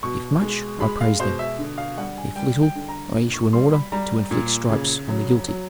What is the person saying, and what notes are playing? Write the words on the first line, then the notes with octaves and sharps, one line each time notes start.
If much, I praise them; if little, I issue an order to inflict stripes on the guilty.
B2 C#6
G#3
G#3 B5
F5
B2 C5
E5
D3
F5
G3 F#5
G#5
G3 G5
G5
D3
A#5
A#2
C#6
G3 C6
B5
G3 A#5
A#2
C#3
F#3
F#3